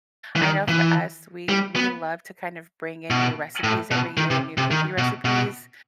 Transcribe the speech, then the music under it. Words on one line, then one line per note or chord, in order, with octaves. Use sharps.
I know for us, we we love to kind of bring in new recipes every year, new cookie recipes,
E3
D#3
E3
G3
B3
B2
A2
B2
D#3
C3
C3
D#3
B2
B2